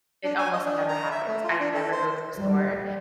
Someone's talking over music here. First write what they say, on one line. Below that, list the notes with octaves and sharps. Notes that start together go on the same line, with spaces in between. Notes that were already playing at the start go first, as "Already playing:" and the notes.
It almost never happens; I never go to the store
D4
G#5
D#5
D4
A#5
E5
A3
F4
D4
A4
C5
G3